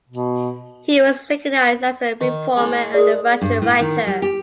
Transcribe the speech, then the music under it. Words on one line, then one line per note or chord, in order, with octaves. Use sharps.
He was recognized as a reformer and a Russian writer.
B2
D#3
A2 G#3
G#4 A#4 D5
G2
A2
D#3
G3
G4